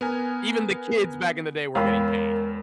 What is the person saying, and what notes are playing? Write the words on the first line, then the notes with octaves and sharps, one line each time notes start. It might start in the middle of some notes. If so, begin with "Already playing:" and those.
even the kids back in the day were getting paid.
B3 A#4 G#5
E2 G#3 A#4 F5 G5 B5